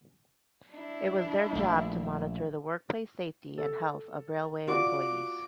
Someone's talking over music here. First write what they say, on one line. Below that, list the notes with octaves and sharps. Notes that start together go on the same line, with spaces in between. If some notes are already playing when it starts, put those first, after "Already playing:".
It was their job to monitor the workplace safety and health of railway employees.
D4 E4
A#1 A3
A4
F4 F#4 D5 D6